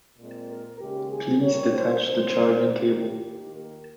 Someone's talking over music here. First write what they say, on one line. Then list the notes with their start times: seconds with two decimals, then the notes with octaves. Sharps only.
Please detach the charging cable.
0.19 A#2 G#3 C4
0.48 A#4
0.79 D#2 C#3 G#3 G4
1.09 G#4
1.40 A#2 G3 A#3 C#5
1.71 C5
2.01 D#2 C#3 F3 C4 C5
2.62 G#2 D#3 G#3 A#4
2.93 G4
3.23 D#2 D#3 A#3
3.54 A#4